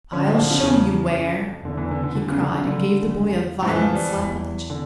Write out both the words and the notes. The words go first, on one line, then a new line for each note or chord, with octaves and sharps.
"I'll show you where!" he cried, and gave the boy a violent slap on the cheek.
D3 C#4
F3
F3
C#3
E2 C#3
F2
E2 D3
E3
D3
D3
D3
C#3
D3
C#3
D3
E2
F3
F2 E3
F3
G3
E2
D3